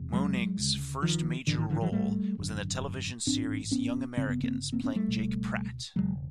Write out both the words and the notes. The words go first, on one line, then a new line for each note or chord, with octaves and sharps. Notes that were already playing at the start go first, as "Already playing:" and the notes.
Moennig's first major role was in the television series "Young Americans", playing Jake Pratt.
Already playing: E1 E2 C3
F#3 G#3
D2 C#3
D#3 F3
A1 G#2 D3 E3
D#3
D3 E3
E3 F#3
G3 A3
G#1 F#2 D3
A1 G#2 C4 D4
B3 C#4
G1 F#2 C#3 C4
B3
A#3 C4
A#3 C4
B3 C#4
G3 A3
C#2 B2
E1 E2 C#3 F#3 G#3